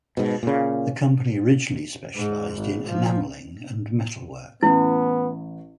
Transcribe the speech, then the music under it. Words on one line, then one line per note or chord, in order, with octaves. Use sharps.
The company originally specialised in enamelling and metalwork.
G#2 B2
A#2 C#3
G#2
G#1
F3
A1 B3 E4